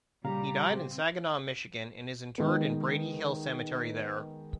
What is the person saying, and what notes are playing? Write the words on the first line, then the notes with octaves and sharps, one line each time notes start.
He died in Saginaw, Michigan, and is interred in Brady Hill Cemetery there.
A#2 C#3 G3 G4 F5 A#5
C4
D#3 G#3 B3